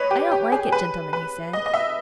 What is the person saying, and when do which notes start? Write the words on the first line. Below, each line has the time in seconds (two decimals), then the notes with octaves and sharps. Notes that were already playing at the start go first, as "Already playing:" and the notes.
'I don't like it, gentlemen,' he said.
Already playing: B4 C#5 D#5
0.11 G4
0.31 G4
0.52 G#4
0.72 B4
1.13 B4
1.53 D#5
1.66 D#5
1.74 E5